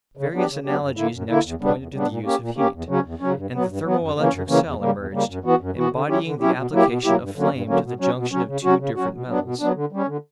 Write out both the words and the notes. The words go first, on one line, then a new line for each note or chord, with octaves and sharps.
Various analogies next pointed to the use of heat, and the thermoelectric cell emerged, embodying the application of flame to the junction of two different metals.
C#3
F#3 B3 D4 G4
C#3
F#3 B3 D4 G4
F#2
D3 A#3 E4
F#2
D3 A#3 E4
E2
C#3 G3 B3 D4
E2
C#3 G3 B3 D4
A#2
A#3 C#4 G4
A#2
A#3 C#4 G4
E2
C#3 F#3 C#4
E2
C#3 F#3 C#4
G2
F#3 B3
G2
F#3 B3
F#2
C#3 E3 A#3 C#4
F#2
C#3 E3 A#3 C#4
E2
C#3 G3 A#3
E2
C#3 G3 A#3
F#2
E3 B3 F#4
F#2
E3 B3 F#4
D3
F#3 C#4 E4 G4
D3
F#3 C#4 E4 G4
B2
F#3 A#3 E4 G4
B2
F#3 A#3 E4 G4
G2
D3 F#3 A#3 C#4
G2
D3 F#3 A#3 C#4
B2
F#3 C#4
B2
F#3 C#4
C#3
F#3 C#4 F#4
C#3
F#3 C#4 F#4
B2
F#3 B3 D4
B2
F#3 B3 D4
D3
G3 C#4
D3